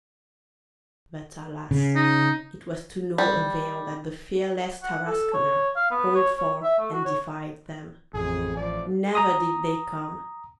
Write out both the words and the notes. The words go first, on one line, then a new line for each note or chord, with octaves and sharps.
But, alas!! it was to no avail that the fearless Tarasconer called for and defied them; never did they come.
C#3
D#4
G3
F#5
A4
C#5
F5
B3
C#5
C#5
E5
A3
F#4
C#5
A1 F2 G#4
F3 D5
A#5 D#6